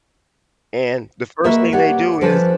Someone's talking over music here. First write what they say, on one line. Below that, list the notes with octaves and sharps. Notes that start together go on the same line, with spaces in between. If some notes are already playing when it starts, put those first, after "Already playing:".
and the first thing they do is
A#3 F#4 A#4 B4 D#5 E5
G4 C#5 D5 F#5
F3 C#4 D4 A4 B4 C5